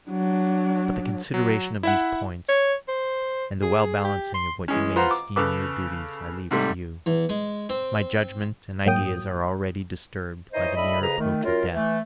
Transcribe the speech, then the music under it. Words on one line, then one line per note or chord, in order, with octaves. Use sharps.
But the consideration of these points, and the well balancing of what you may esteem your duties, I leave to you; my judgment and ideas are already disturbed by the near approach of death.
F#3 D4
F#3
E4 E5 F#5
C#5
C5
G#4
G4
C6
E3 G#3 C#4
F4 B4 C5 F5 F#5 A#5
D6
C#3 A4 B4 D6
G#2 C3 G3 A3
E2
G#3
C4
G#2 F#3 A#3 G5 D#6
E3 D#4 C5 C#5 D#5
A2 D4 D#5 E5 B5
C2 F2 C#3 G#4 B4 A#5
D#3 A3
F#2 F4 A#4
E3 A3